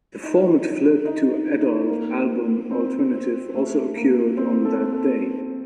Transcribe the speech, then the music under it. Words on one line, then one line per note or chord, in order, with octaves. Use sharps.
The format flip to adult album alternative also occurred on that date.
D#4
D#4
D#4
D#4
A#3
C4
C4
A3
A#3
C4
A4
A4